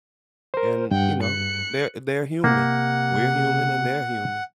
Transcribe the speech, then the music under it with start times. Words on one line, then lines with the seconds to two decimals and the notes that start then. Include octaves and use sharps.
and, you know, they're- they're human. We're human and they're human.
0.54 A#4 C5
0.91 G2 F#5 G5
1.23 F#6 C#7
2.44 C3 A#3 F#5